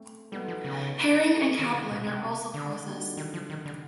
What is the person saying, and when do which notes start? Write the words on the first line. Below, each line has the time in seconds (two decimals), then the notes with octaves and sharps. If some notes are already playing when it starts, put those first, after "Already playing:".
Herring and capelin are also processed.
Already playing: A3 C4
0.32 G3 B3 D#4 F#4 A4
0.48 F3
0.64 C#3
1.59 D#3 C4 E4 G4
1.75 D3
1.91 B2
2.07 C3
2.54 D3
2.86 D3 G3 C4 D#4 F#4
3.17 D#3
3.34 F3
3.50 D#3
3.66 D3